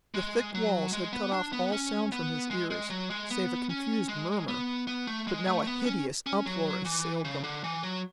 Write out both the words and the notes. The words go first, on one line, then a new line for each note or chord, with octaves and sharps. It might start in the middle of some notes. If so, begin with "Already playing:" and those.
The thick walls had cut off all sound from his ears, save a confused murmur, but now a hideous uproar assailed them.
G#3
F#3
G#3
B3
D4
B3
C#4
B3
G#3
G#3
F#3
G#3
B3
C#4
G#3
B3
B3
A3
G#3
A3
B3
C#4
C#4
F#3
E3
C#3
D3
E3
F#3